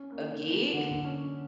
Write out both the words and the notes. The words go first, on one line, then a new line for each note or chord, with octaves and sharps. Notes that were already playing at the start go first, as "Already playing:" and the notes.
a gig?
Already playing: C#4
A#3
A#3
D3
C#4